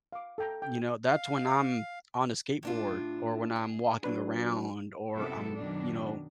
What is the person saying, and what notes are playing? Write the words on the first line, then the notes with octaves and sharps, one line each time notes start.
you know, that's when I'm on a skateboard or when I'm walking around or, um, you know,
F5 D6
A4 G5 A#5
G5
F5
A2 D4 F4
G#4
F#3 D4 B4
F#2 C3 F#3 B3 E4 A4
F#2 B2 D#3 F#3 D4